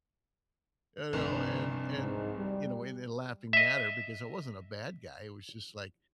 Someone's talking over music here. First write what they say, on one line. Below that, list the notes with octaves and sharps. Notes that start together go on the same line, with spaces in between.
You know? And and, you know, in a way, they laughing matter because I wasn't a bad guy, it was just like,
F1 C2 G2
G#2
G3
D#5 E5